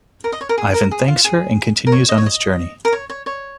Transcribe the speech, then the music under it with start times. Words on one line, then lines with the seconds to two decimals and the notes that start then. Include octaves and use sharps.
Ivan thanks her and continues on his journey.
0.24 A#4
0.32 D#5
0.41 C#5
0.49 A#4
0.58 G#4
0.74 A#4
0.91 G#4
1.08 F4
1.25 G#4
1.87 A#4
1.92 C#5
2.09 D#5
2.18 C#5
2.26 D#5
2.85 A#4
2.92 C#5
3.10 C#5
3.26 C#5